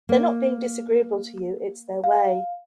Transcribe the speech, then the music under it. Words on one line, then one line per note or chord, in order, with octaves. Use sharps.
They’re not being disagreeable to you — it’s their way.
A#3
F5